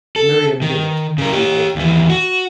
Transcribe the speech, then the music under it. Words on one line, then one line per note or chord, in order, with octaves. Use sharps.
Miriam did it, and she hated her.
A4
D#3
C#3 A#4
G4 C#5
D#2 E3
F#4